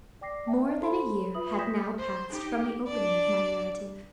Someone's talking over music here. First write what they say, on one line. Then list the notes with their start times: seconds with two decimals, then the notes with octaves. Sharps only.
More than a year had now passed from the opening of my narrative.
0.21 D5 G5 D6 A#6 C7
0.47 E5 G5 A5
0.81 A4 C5 A5 B5 C6
1.34 F4 B4 E5 B5 D#6 F#7
1.59 D#6 G6 G#6 A#6 B6 E7
1.98 C5
2.30 D#4 G4
2.87 D4 D5